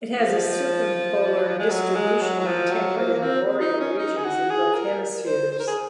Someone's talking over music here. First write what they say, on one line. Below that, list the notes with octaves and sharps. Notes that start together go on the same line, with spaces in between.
It has a circumpolar distribution in temperate and boreal regions in both hemispheres.
F3
G#3
F#3
G#3
F#3
F#3
F3
F#3
A#3
A#3
C4
D#4
C#4
D#4
G#4
F#4
G#4
A#4
C5
C5
A#4
G#4